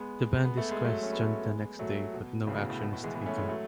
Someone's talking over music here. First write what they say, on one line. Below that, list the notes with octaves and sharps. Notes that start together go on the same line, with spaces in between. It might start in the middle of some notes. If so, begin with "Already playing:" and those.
The band is questioned the next day, but no action is taken.
Already playing: G#3 B3
B3
A3
G#3
F#3 A3
C#4
G#3 B3
F#3 A3
B2
A2 C#3
B2
A2
B2
A2
E3 G#3
G#3 B3
A3 C#4
G#3 B3
F#3 A3